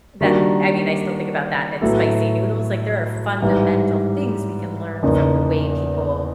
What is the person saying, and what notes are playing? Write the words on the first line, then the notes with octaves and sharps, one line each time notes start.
that I mean, I still think about that, and it's spicy noodles. Like, there are fundamental things we can learn from the way people
D#3 G3 A#3 D4 F#4
A2 F#3 B3 E4 A4
G#2 E3 G3
E2 C#3 F3 A#3 D#4